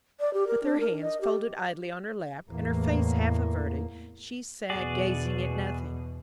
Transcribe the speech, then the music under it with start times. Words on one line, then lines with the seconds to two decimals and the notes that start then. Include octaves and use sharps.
With her hands folded idly on her lap, and her face half averted, she sat gazing at nothing.
0.20 D5
0.34 G4
0.48 A#4
0.64 D4
0.80 A#4
1.02 D#5
1.21 G4
2.50 E2 A2 A#3
4.70 E2 B2 F#4 G#4 D5